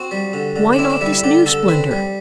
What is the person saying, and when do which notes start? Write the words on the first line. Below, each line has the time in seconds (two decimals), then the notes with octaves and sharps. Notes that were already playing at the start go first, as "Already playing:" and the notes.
Why not this new splendor?
Already playing: C4 F#4
0.11 G3
0.33 D3
0.56 D3
0.73 D4
0.79 C4 E4
0.90 D4
1.01 G3 E4
1.12 E4
1.24 D3 G4
1.46 D3 A4
1.68 C4 B4
1.91 G3